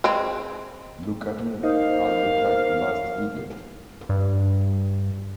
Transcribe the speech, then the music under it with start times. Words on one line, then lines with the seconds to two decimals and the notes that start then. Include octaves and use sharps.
Look at me, I look like the last idiot!
0.04 G#3 C4
1.63 A#3 D#4 C5 F5
4.09 G2